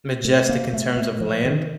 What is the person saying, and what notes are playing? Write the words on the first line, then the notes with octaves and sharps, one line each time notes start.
majestic in terms of land?
A3
A#3
A3
A3
F3
D#3